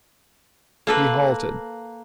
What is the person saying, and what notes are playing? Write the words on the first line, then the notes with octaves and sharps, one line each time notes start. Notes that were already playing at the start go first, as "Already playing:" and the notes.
He halted.
A#3 A4 B4